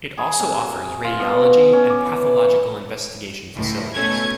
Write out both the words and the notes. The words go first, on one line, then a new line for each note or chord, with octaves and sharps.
It also offers radiology and pathological investigation facilities.
G#4
C3
F#4
F4
B2
F#4
C#4
D6
E3
C#6
C#2 A2
B2 A3 C#4 G#6